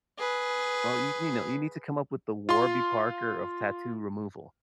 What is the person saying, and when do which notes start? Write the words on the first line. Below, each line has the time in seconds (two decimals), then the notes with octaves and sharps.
Well, you you know, you need to come up with the Warby Parker of tattoo removal.
0.18 G#4 B4
2.49 F4 C6